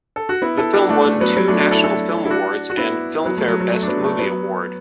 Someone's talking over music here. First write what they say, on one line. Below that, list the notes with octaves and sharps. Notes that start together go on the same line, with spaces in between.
The film won two National Film Awards and Filmfare Best Movie Award.
A4
F#4
B3 E4
E4 A4
D4 F#4
A3 D4
A3
F#3 B3
F#3 B3
A3 D4
D4 F#4
E4 A4
E4 A4
E4
D4 F#4
F#4
B3 E4
F#3 B3
A3
F#3
F#3
A3
D4
F#3 B3
A3
F#3 B3